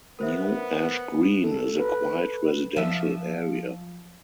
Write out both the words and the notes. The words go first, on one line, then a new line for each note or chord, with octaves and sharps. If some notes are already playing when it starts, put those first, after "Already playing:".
New Ash Green is a quiet residential area.
B3 A#4 C5 E5
A4
B4
F3 E5